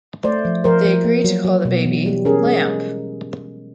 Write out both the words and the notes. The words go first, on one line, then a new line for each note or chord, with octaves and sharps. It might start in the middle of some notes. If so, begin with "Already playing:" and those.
They agree to call the baby "Lamp".
A3 C5 D5
F3
F3 A#4 C5
F3
A#3
F#3
F#3
B2
E3
G3
C#4 G#4 A#4
G#3